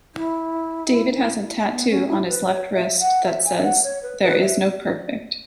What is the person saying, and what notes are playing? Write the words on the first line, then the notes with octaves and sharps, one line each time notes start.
David has a tattoo on his left wrist that says "There Is No Perfect".
E4
B3
C#4
E4
B4
C#5
E5
F#5
E5
G#5
E5
F#5
C#5
B4
B4
E5